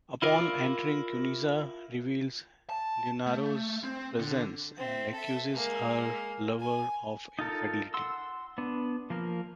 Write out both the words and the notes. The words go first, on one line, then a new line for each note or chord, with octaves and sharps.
Upon entering, Cuniza reveals Leonora's presence and accuses her lover of infidelity.
E4 F4 A#4 D5
A5
A3
C4
D3
C4 E5
A4 E5
G#3 A#3
G#5
D#4 F4 A4 A#4
F#5 C6 E6
B3 D4
F3 A#3 A#4